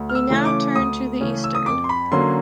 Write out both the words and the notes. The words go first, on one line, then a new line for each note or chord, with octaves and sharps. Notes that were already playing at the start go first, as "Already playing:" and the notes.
We now turn to the eastern.
Already playing: D2
F6
E6
C#3 E3 A3 C#4
D6
D2 D#6
C#3 E3 A3 C#4
E6
D#6
F2 D6
C6
B5
D3 F#3 A#3 C#4 C6